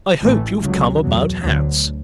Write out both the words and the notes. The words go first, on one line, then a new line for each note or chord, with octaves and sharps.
I hope you've come about hats.
A1 A2 E3 A3
C#2 C#3 F#3
E2 B2 F#3
D2 D3 F#3